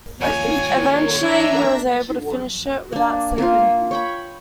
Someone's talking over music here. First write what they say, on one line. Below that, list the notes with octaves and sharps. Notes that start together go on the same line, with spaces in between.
Eventually, he was able to finish it without sleeping.
D#2 F4 C#5 G#5
E3 D4 E5 A#5 E6
A#3 D4
A#3 F4
C#5 G5 B5